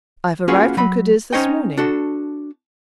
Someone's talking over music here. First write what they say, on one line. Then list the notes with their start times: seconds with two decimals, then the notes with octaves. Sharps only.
I have arrived from Cadiz this morning.
0.48 A#3 C#4 F4 F#4 G#4 B4
0.77 F#3 B5
1.33 C#4 D#4 C5 C#5 D#5 G5
1.77 D4 F#4 A4